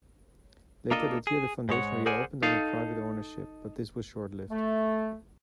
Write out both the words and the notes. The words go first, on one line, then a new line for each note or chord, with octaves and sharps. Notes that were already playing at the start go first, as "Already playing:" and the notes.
Later that year, the foundation reopened under private ownership, but this was short-lived.
A#3 D4 F4 A4 A#4 D#5
G#4
G#2 G#3 C#5 F#5
G#4 A#4 C5 D5 F#5 G#5
D#4 A4 F5
A3